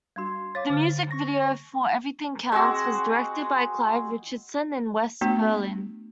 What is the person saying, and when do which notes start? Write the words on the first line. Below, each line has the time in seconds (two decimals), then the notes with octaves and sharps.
The music video for "Everything Counts" was directed by Clive Richardson in West Berlin.
0.16 G3 D4 F#4 C6 G#6
0.55 C#5 F5 D6 A6
0.70 D3 F6
1.11 C#6 A#6
2.52 G#3 C4 F#4
5.21 A3 B3 D4 F#4